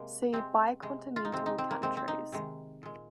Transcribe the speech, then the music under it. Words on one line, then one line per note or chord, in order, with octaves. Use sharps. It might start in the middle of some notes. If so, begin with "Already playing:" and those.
See Bicontinental countries.
Already playing: C3 G#3 A#3
C3 G#3 C4
C3 G#3
F4
D#4
C3 G#3 C4
D#4
C4
A#3
C3 G#3 C4
C4
D#4
C3 D#3 G#3
A#2 G#3